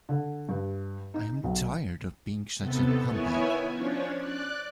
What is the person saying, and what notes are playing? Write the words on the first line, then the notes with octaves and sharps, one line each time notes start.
I am tired of being such a humbug.
D3
G2
D#4
B1
D#2 C3 B3 A4
D#3 B3 E4 C#5 E5 G#5
F3 C#4 D4 C#5
D5 F#6